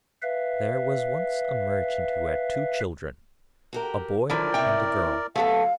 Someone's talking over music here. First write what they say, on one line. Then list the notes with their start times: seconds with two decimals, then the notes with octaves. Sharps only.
There was once a Merchant who had two children, a boy and a girl.
0.22 B4 E5 F5
3.73 F#4 G4 A#4
4.30 D3 D#3 F3 F#3 E4 A#4 D5
4.54 E2 C3 E4 C#5 G5
5.36 D2 G#2 F#3 A3 B3 A4 F5